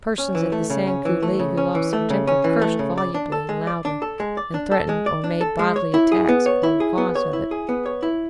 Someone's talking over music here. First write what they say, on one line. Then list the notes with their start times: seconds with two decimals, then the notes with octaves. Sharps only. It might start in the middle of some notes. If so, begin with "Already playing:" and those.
Persons at the Sand Coulee who lost their temper cursed volubly and loudly, and threatened or made bodily attacks upon the cause of it.
0.18 C#4
0.35 E3
0.52 A3
0.70 C#3
0.87 C#4
1.05 E3
1.23 A3
1.39 C#3
1.57 C#4
1.75 E3
1.93 A3
2.10 C#3
2.27 C#4
2.44 E3
2.62 A3
2.79 C#3
2.98 D5
3.14 D4
3.32 A4
3.49 G#3
3.67 D5
3.85 D4
4.02 A4
4.20 G#3
4.37 D5
4.54 D4
4.71 A4
4.89 G#3
5.06 D5
5.24 D4
5.41 A4
5.59 G#3
5.76 C#5
5.94 E4
6.12 G#4
6.29 B3
6.46 C#5
6.63 E4
6.80 G#4
6.98 B3
7.15 C#5
7.33 E4
7.51 G#4
7.69 B3
7.86 C#5
8.03 E4